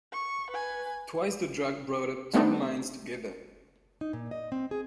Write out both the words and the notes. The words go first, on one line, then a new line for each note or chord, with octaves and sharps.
Twice the drag brought up two mines together.
C#6
B4 G#5
G3 A3 B3 C4 D4 D#4
D#4
A#2
D#5
C4
G#4